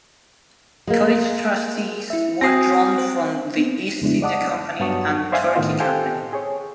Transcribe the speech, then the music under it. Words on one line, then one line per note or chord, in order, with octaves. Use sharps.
College trustees were drawn from the East India Company and Turkey Company.
G#3 A#3
E4 E5
C4 F#4 G#5 D#6 A#6 C7
C5
B3 C4
D#4
F2 C#3 G#3 B3 D4 E4
D5 D#5 F#5 A5 D6 D#6
G2 F#3 B3 A5 C#6 D#6
C5 D5 E5 F5 G#5 C6
A2 D#3 B3 F4 D#5
G4 A4 C5 G5 G#5 G6
G#4 C#5